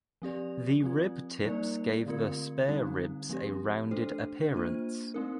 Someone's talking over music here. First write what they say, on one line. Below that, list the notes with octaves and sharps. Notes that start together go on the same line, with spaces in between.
The rib tips give the spare ribs a rounded appearance.
F3 C4 G4 D5
F3 C4 F4
G3 A#3 D#4 A#4 D5
D3 A3 C4 F4 A#4
D3 G3 C4 D#4
F3 A3 C4 G4
A3 D4 A4 C5
A#3 D4 F4 C5
A3 C4 D#4 A#4